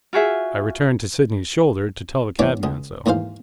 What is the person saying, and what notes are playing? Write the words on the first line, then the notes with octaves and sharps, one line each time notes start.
I returned to Sydney's shoulder to tell the cabman so.
F4 F#4 G#4 E5
E3 B3 D4 C#5 B5 D6
C#2 D#6
D#2 G#2 E3 C5 F5